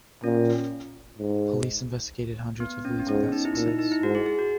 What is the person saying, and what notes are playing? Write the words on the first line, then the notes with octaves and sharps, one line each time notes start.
Police investigated hundreds of leads without success.
A#2 C#4
G#2
B3
C#4
B3
G#2 C#4
D#4
E4
A#2 D#4
E4
D#4
E4
G#2 F#4
G#4
G#4
F#4